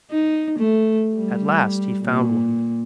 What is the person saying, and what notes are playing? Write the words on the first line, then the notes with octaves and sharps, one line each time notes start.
At last he found one.
D#4
A3
G3
A#2